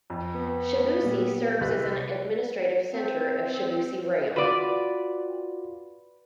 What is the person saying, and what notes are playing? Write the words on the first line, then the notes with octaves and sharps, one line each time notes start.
Chavusy serves as an administrative center of Chavusy Raion.
F2
B3
A#2 G3
C2 B4
C4
F4 F#4 B4 D5